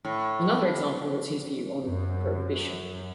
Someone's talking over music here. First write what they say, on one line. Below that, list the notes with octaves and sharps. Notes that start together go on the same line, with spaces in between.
Another example was his view on prohibition.
A2
F#2